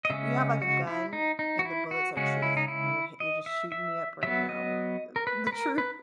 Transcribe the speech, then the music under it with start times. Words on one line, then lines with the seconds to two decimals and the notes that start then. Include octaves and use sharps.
You have, like, a gun and the bullets are truth and you're hi you're just shooting me up right now the the truth
0.05 D#5
0.10 C#3 G#3 C#4 E5
0.62 F#4
0.87 E4
1.13 D#4
1.39 D#4
1.59 F#4
1.65 E4
1.91 F#4
2.17 C#3 G#3 C#4 F#4
2.42 E4
2.57 D#4
2.68 E4
3.20 D#5
3.46 E5
3.72 E5
4.23 F#3 B3 E5
4.49 D#5
5.16 A#4
5.27 B4
5.47 B4
5.52 A#4
5.78 B4